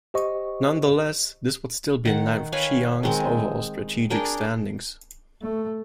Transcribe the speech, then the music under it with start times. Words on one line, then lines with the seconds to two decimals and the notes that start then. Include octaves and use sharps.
Nonetheless, this would still be in line with Chiang's overall strategic standings.
0.14 G4 C5 D#5 C#6
2.05 D#3 F#5
2.52 B4 C#5 F5 G#5
3.03 D#3 G#3 C4
4.10 D4 G#4 A#4 G5
5.42 A3